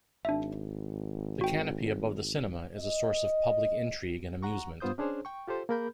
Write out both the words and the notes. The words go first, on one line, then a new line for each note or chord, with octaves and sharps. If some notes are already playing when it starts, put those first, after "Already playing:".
The canopy above the cinema is a source of public intrigue and amusement.
G#1 D4 E5
F#4 G5
D#5
F#5 A#5 C#6
G2 B3 F4 C5 D#6 G6
C#4 D4 G#4 C5 C#5
G5 C#6
F4 G4 A4 C5
A#3 G#4 A#4 B5 G6